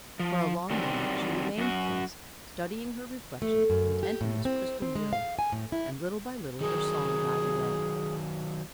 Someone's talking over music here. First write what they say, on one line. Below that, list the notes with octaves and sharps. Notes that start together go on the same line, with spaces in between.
For a long moment she remained thus, studying her reflection intently in this crystal mirror, and little by little her song died away.
F3
D#3 F#3 G3 C4 D4
F#2 F#4
A3
F#2
G4
A2
C4
C4
G#3
F5
G#5
A2
E4
D#3 F#3 G#4 A#4